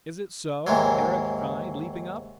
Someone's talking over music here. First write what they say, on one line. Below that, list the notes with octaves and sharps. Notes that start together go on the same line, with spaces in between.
"Is it so?" Eric cried, leaping up.
D#2 G#2 E3 F#3